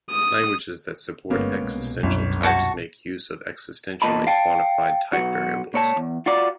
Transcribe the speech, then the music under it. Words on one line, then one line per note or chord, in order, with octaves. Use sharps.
Languages that support existential types make use of existentially quantified type variables.
D#6
G1 D3 G#3 A#3 B3 C#4
C2 B2
G1 F#2 C#4
F#4 A5 C#6
E2 A#2 D#5 A5 B5
F5 G5 A5
B1 F#4
A#2 C#5 A5
E2
F4 F#4 D5